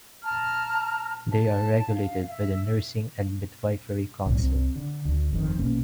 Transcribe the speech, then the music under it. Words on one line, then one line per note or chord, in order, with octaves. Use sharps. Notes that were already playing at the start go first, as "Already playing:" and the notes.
They are regulated by the Nursing and Midwifery Council.
A5 A#5 F6
A5
F5
E5
B1 A2 C3 G3
C2 C3 C4
D3
D2
G1 F2 D#3
A#1 B2 A#3 C#4